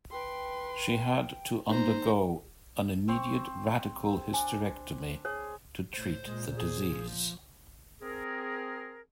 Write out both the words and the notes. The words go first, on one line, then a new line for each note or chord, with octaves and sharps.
She had to undergo an immediate radical hysterectomy to treat the disease.
B4 G5 C6
A#3 D#4 C5 A#5
C4 C5 C#6
D4 G#5
G#4 C#5
A2 C5
A#2 G#3
G#4
F3
C4 G#4 A#4